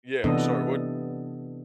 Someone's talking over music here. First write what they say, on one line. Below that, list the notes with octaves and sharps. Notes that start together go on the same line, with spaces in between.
Yeah, I'm sorry, what?
C3 E3 B3 D4 A4 D#5